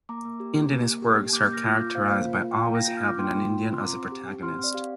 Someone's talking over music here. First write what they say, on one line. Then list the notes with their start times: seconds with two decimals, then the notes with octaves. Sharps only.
Indianist works are characterized by always having an Indian as the protagonist.
0.09 A#3 A#5 D6
0.25 A#3
0.40 G4
0.56 G4
0.71 A#3
0.87 A#3
1.02 G4
1.18 G4
1.33 A#3 D6 G6
1.43 G6
1.49 A#3 F6 A#6
1.64 F4
1.74 D6 G6
1.80 F4
1.95 A#3 C5 F5
2.10 A#3
2.26 F4
2.42 F4
2.51 G5
2.57 A#3 F5 A#5
2.73 A#3 A#6
2.85 F4 G6
2.97 F6
3.04 F4 D6
3.19 A#3 G5 C6
3.34 A#3
3.50 F4
3.65 F4
3.73 C6
3.81 C4 A#5 D6
3.96 C4
4.12 G4
4.27 G4
4.42 C4 C6 F6
4.59 C4 D5
4.74 G4 F5